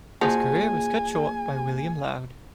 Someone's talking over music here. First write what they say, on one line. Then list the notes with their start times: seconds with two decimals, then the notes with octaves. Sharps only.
His career was cut short by William Laud.
0.21 F3 A#3 F#4 G#4 G#5